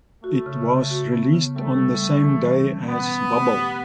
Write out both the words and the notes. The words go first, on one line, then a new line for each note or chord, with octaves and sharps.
It was released on the same day as "Bubble".
A3 F#4
C#3
C#3
F#4
B3
C#3
G3 A3
G3
G3
E3
G3
C#4
B2 B3
B2
A3
G4